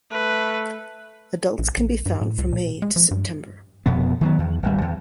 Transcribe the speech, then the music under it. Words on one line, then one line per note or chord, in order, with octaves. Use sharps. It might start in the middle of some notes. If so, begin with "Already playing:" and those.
Adults can be found from May to September.
A3 B4
A#1
A#1
G2
A2
C#2
A#2
G#3
F3
G2
F1 F2 B2 B3
D#3 F#3 B3
E2
D1 G#1 G3
E2